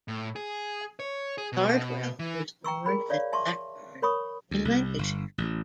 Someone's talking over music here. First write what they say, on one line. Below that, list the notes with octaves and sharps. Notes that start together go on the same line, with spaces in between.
Cardwell was born at Blackburn in Lancashire.
A2
G#4
C#5
G#4
B2
E3
G5 A#5 C#6 E6
G#4 A#4 B5
C#5 D5 F5
E5 A5 C6 C#6
A#4 C#5 B5 C#6 D#6
D2
C2
G1
A1